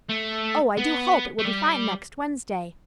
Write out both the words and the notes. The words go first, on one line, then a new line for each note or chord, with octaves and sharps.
Oh, I do hope it will be fine next Wednesday.
A3
B3
A3
G3